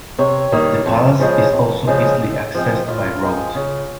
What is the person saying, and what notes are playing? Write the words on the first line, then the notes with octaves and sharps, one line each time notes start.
The palace is also easily accessed by road.
C3 C#5
D#3 G3 A#3
F2
C#3 F3 G#3
F2
C#3 F3 G#3
A2
F3 G#3 C4
A2 F4
F3 G#3 C4
C#3